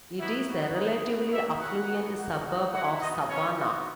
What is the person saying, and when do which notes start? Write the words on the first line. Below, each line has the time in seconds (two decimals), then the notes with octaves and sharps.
It is a relatively affluent suburb of Savannah.
0.18 B3 D#4 E4 F#4 E5
0.47 B3 D#4 F#4
0.74 G#3 C#4 D#4 E4 D#5
1.02 B3 D#4 F#4
1.30 A#3 D#4 E4 F#4 E5
1.59 A#3 C#4 E4 F#4 F#5
1.87 B3 D#4 F#4
2.15 A#3 D#4 F#4
2.43 G#3 D#4 F#4
2.71 A#3 E4 F#4 F#5
2.99 B3 D#4 F#4 D#5
3.27 G#3 B3 C#4 E4 C#5
3.56 B3 D#4 F#4